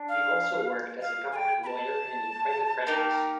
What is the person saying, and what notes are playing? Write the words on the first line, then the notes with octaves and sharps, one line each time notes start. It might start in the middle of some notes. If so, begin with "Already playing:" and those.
He also worked as a government lawyer and in private practice.
Already playing: D4
F5
F5
G#5
G5
B5
A5
A#3 D#4 G4 A#4